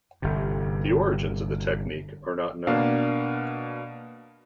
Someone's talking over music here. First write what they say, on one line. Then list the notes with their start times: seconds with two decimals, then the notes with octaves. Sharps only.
The origins of the technique are not known.
0.22 G1 C3
2.67 B2 A#3 D4 F5